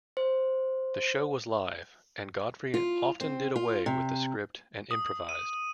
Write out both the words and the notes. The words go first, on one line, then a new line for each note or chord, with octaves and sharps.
The show was live, and Godfrey often did away with the script and improvised.
C5
F4
C4
F4
C3
D#6
D#7